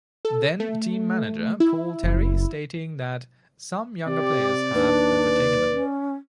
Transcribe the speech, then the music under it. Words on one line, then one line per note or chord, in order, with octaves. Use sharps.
Then team manager, Paul Terry, stating that "some younger players have overtaken them".
A4
A3
E4
F#1
C3 G4 D5
D#2 D4 B4
C#4